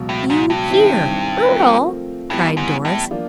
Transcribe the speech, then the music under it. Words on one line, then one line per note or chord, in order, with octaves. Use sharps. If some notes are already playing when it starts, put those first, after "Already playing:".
"You here, Earle!" cried Doris.
Already playing: C#2 B2 F#3
A2
G#2
G2
D#3 G3 C4 E4
F3 A3 C4 F4 A#4
G2 E3 G3 B3
G#2
A2
F3 A#3 D4 F4